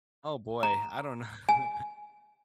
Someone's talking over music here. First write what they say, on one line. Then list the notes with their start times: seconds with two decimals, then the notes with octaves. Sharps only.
Oh, boy. I don't kn
0.63 A#5
1.49 G#5